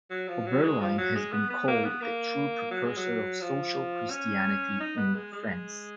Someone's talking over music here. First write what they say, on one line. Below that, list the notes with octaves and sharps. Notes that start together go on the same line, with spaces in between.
Oberlin has been called the true precursor of social Christianity in France.
F#3
F3
F#3
G#3
F3
F#3
G#3
B3
B3
A#3
B3
A#3
F#3
G#3
F#3
F3
C#4
D#4
B3
G#3
G#3